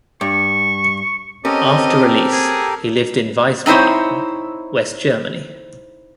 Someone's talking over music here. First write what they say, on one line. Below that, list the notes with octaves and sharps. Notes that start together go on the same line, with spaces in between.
After release he lived in Wiesbaden, West Germany.
G2 C#6
C4 C#4 G4 A4 A#4 D#5
G#4
C4 D#4 E4 C5 C#5